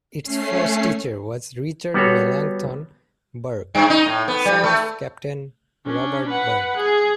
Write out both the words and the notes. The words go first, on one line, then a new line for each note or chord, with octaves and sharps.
Its first teacher was Richard Melancthon Burke, son of Captain Robert Burke.
A3 C#4 C7
G3 B3 F#4 A4 C#5
G2
D#4
A2
B3
G3
A3
C#4 D4
B4 F#5
G#4